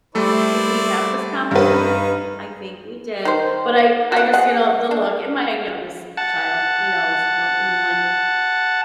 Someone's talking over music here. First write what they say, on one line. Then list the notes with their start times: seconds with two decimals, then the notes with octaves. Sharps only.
"Did we have this conversation? I think we did," but I I just you know, the look and my youngest child, he knows, he'll he'll, like
0.15 G3 A3 E4 A4 C5 D5
1.51 G2 D#4 B4
3.25 D#3 C5
4.12 F#4 F#5
4.34 G#4 F#5
4.91 D4
6.17 F#5 A5